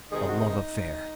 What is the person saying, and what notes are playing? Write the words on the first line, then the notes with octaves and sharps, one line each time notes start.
A love affair!
C3 D#3 G#3 G#4
F#4
D#4